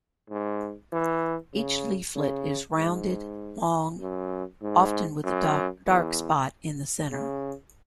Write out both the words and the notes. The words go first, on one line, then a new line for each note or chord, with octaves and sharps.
Each leaflet is rounded, long, often with a dark spot in the center.
G#2
E3
C#3
C#3
G#2
F#2
G#2
F#2
E2
C#3